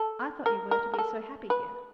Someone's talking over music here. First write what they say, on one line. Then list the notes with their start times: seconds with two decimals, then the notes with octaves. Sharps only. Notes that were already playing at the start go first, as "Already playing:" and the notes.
"I thought you were to be so happy here."
Already playing: A4
0.46 A#4
0.71 A#4
0.94 A#4
0.98 A4
1.50 B4